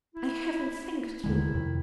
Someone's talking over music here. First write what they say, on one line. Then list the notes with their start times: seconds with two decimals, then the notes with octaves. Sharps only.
"I haven't thanked you."
0.15 E4
1.24 D#2 D3 D#3 G#3 E4
1.51 F2 C3